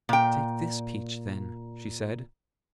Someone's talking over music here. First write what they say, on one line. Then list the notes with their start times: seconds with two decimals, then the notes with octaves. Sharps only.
"Take this peach, then," she said.
0.09 A#2 G5